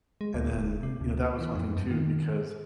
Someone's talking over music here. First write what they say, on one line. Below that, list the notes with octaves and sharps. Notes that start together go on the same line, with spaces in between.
and then, you know, that was one thing too, because,
G#3
D2
E1
C3
D2
E3
F2
G2
D#3